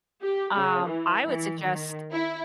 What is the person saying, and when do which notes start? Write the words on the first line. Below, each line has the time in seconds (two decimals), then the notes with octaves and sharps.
um, I would suggest,
0.22 G4
0.56 C#3
0.87 E3
1.28 E3
1.62 D#3
2.12 E4